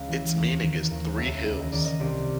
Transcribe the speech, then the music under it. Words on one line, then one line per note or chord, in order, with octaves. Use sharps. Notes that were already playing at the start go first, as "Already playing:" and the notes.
Its meaning is "Three Hills".
Already playing: C#2 F5
E3
D#2
D#3
D#2
C#2 E5
C#2
D#5
D#3 D5
D#5
C2 D5